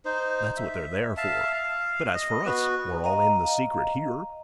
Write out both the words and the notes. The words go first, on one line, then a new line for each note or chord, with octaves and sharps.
That's what they're there for; but as for us--we're all in the secret here.
D#4 C5
E5
E5 F5 A5
F5
D#5
B3 F#4 B4
D#5 F5 A#5